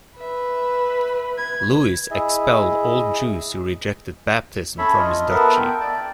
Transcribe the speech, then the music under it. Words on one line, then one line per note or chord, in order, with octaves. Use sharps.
Louis expelled all Jews who rejected baptism from his duchy.
B4 E5
G#6
E4 G#4 D#5 E5
C#4 A4 C#5 E5 B5
F4 D#5
B3 A4 A#4 E5
G5
D5 G5 A5